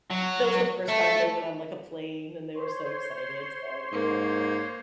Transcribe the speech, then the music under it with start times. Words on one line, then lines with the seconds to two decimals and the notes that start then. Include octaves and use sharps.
that was the first time they went on, like, a plane and they were so excited, so
0.10 F#3
0.88 A3
2.52 C5 C#5 C6
3.92 G#2 A#3